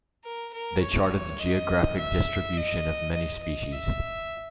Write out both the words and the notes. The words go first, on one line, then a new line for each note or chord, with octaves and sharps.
They charted the geographic distribution of many species.
A#4
A#4
C#5
D#5
E5
D#5
D#5
D#5
E5